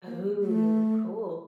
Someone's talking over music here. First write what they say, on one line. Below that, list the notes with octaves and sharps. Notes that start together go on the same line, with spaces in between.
Oh, cool.
A#3
A3